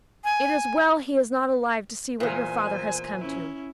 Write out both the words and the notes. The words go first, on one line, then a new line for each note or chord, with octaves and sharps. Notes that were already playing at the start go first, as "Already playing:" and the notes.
It is well he is not alive to see what your father has come to!
G#5
E2 A#2 C5 G#5
C#4 E4